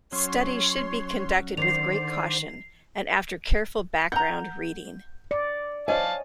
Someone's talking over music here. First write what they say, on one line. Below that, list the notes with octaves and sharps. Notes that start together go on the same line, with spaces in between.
Studies should be conducted with great caution, and after careful background reading.
F#3 C#4 C#5 C6
D3 D#3 C5 D5 C7 F7
F#5 A#5 G6
D5 C#7
C5 C#5 D#5 F5 G#5 A5